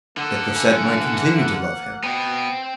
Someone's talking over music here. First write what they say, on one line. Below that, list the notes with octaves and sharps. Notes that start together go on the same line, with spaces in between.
That Cosette might continue to love him!
D3 A#3 A4 F#5
E3
B2 B3 C4 G5